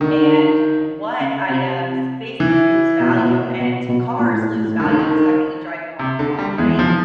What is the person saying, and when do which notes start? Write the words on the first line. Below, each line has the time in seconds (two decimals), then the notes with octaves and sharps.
and what items, basically, lose value, and cars lose value the second you drive them off the lot, right?
0.01 D3 D#3
1.20 C#3
1.50 C3
2.40 E3
3.00 B2
3.13 A#2
3.25 B2
3.60 B2
3.89 B2
4.19 A#2
4.34 A2
4.49 A2
4.65 A2
4.79 G2 D#3
4.89 D3
4.99 D#3
5.99 C3
6.19 D3
6.38 G3
6.58 E2 G#3
6.77 E2 F3